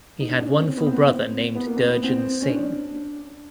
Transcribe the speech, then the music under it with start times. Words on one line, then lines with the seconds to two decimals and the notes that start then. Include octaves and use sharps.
He had one full brother named Durjan Singh.
0.20 D#4
0.31 D4
0.41 D4
0.46 C#4
0.62 C4
0.77 B3
0.86 C4
0.93 B3
1.09 C4
1.55 B3
1.66 A#3
1.76 C4
1.87 B3
2.03 C4
2.42 C#4
2.50 D4